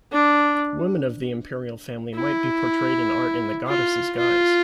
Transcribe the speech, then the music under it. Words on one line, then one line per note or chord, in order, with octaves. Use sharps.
Women of the Imperial family might be portrayed in art in the goddess's guise.
D4
E4
F4
F4